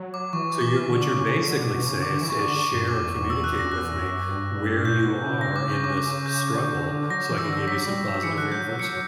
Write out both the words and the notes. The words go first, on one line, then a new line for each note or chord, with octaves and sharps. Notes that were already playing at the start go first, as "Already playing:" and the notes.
So you're what you're basically say is is, "Share or communicate with me where you are in this struggle so I can give you some positive reinforcement."
Already playing: F#3
D6
E3 C#6
D6
D3
C#3
C#3
D3
B2
B2
C#3
D3 D6
E3
C#6
D3
C#6
G2
F#2 D6
E2
E2 D6
E2 E6
F#6
E2
A#6
E2 F#6
F#2
G2
A#2 G6
B2
C#3
A#6
D6
C#6
D6
D6
G6
D3
D3
D3
F#3 A#6
E3 D6
E6
D3 E6
F#3 B6
G3
F#3
E3 C#7
D3 F#6
F#3 G6
F#3
F#3 C#7